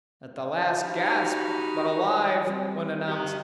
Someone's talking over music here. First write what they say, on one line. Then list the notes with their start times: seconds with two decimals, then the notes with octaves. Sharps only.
"At the last gasp, but alive," one announced.
0.80 D#4 F#4 G4 B5 F6
2.47 G3 C4
3.09 G4 A#5